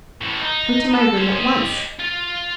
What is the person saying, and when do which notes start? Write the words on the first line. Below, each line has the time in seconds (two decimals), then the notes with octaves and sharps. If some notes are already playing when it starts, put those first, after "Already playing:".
Come to my room at once.
0.21 A2 E3
0.41 D#4
0.94 A4
1.17 C#4 C5
1.35 G4 D#5
1.99 F4